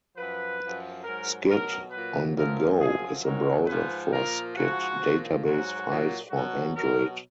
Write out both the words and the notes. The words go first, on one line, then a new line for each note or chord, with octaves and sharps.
Scid on the go is a browser for Scid database files for Android.
F#2 F3 B4
F#2 F3
G#2 F#3 A#4
B2 F#3 A#4
A#2 F#3 B4
F#2 F3 A#4
F#2 F3 G#4
G#2 D#3 F#3 A#4
G#2 F3 B4
A#2 F3 A#4
G#2 F3 F#4
A#2 F3
G#2 F#3 F#4
A#2 F#3
B2 F#3 F#4
B2 F#3 A#4